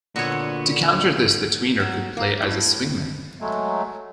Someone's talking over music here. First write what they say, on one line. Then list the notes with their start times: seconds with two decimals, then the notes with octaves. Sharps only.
To counter this, this tweener could play as a swingman.
0.16 A#2 D3 B3 F#4 C#5
1.80 F#3
2.17 A#3
2.42 A2
3.41 F#3 G#3 A3